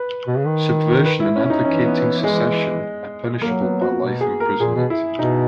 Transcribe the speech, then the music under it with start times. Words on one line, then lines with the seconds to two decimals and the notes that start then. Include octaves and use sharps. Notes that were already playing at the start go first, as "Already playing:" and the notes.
Subversion and advocating secession are punishable by life imprisonment.
Already playing: B4
0.27 B2
0.37 C#3
0.46 D#3
1.05 B4
1.20 E4
1.36 C#4
1.50 D#4
1.64 E3 C#4
1.84 B3
2.24 G#3
3.42 F#3 A#3
3.62 B3
3.81 F#4
4.01 B2
4.21 G#4
4.40 A#4
4.60 A#2 G#4
4.75 B2
4.90 E4
5.19 B2 D#4